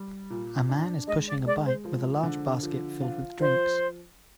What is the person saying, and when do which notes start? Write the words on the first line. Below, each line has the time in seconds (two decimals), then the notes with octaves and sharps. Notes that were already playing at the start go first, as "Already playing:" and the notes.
A man is pushing a bike with a large basket filled with drinks.
Already playing: G3
0.30 A#2
0.69 D4
1.08 G#3 D#5
1.27 D5
1.47 G#3 D5
1.65 C5
1.85 F3
2.23 D3
2.63 F3
3.01 F4
3.39 F3 C5